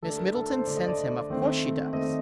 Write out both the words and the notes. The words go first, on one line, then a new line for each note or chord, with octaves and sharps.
"Miss Middleton sends him; of course she does."
D3 A3 D4 A4
A#4
A4
C5
D3 A3 D4 D5
D#5
D5
D#3 A3 C4
D#3 A3 C4 D#5